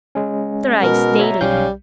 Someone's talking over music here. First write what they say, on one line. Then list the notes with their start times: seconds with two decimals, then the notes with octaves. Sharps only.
Thrice daily.
0.15 G#3 C#4
0.83 B2 A#4
1.19 C#5 E5 A#5
1.41 B1 G3 C#4 F5 G6